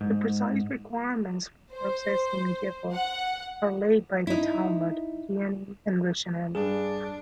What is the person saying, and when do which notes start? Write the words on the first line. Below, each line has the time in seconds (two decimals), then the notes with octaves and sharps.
The precise requirements for processing "gevil" are laid by the Talmud, Geonim and Rishonim.
0.01 G#2
1.74 C5
2.93 F#5
4.27 D#4 E4
6.55 G2 D4 G#4